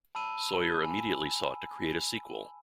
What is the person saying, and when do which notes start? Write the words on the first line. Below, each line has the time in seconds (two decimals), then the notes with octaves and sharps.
Sawyer immediately sought to create a sequel.
0.15 A5 B5 E6 D#7
0.84 G#5 B5